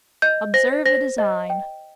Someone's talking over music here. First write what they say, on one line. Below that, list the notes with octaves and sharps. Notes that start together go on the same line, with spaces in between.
Observe the design!
D#5 G6
C5 A#6
C5 A#6
D#5
G5